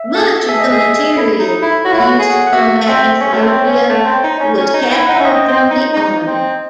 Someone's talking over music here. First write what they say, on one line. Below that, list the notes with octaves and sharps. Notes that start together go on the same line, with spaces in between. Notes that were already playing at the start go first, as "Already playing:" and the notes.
Much of the material used to combat Ethiopia was captured from the army.
Already playing: E5
A4
A4
G#4 E5
D#5
G#4 E5
G#4
E4 A4
D#4
E4
F#4 C#5
E4
F#4
G#4
F#5
F#5
F#4 E5
C4 E5
C#4 C#5
A3
C4
C#4
A3
C4
D#4
C#4
C#4
D#4
E4
D#4 F#5
C#4 E5
C4 D#5
C4
D#4
D#4
C4